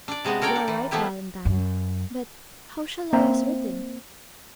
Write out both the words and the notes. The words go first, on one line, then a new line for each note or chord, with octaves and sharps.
"You are right, Valentine; but how shall I ascertain?"
D4 D5
C3 G#3 B3 F#4
A4 A#4 C#5 D5 G5
D4
E3
F3 A3 B3 E4 G4
F#2
A#3 C4 C5 E5 G5 A#5